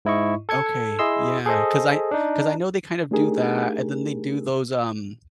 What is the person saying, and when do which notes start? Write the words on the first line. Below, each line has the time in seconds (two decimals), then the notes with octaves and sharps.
Okay. Yeah, 'cause I cause I know they kind of do that, and then they do those, um,
0.05 G#2 E4 D#5 C#6
0.49 A4 G#6 C#7
0.99 E4 G#4 D#5 C6 E6
1.46 G#4 A4 C5 D#5
2.11 D4 D#4
3.11 A3 D4 D#4 G4 G#4 A#4